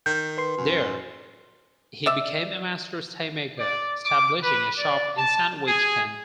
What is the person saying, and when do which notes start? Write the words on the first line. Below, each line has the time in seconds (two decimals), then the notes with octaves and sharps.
There, he became a master stay-maker, establishing a shop in Sandwich, Kent.
0.06 D#3 G6
0.38 B4 C6 C7
0.57 F#2
2.06 D5 E5
3.59 D5
4.05 D6
4.42 B4
4.78 D5
5.17 A5
5.67 G#4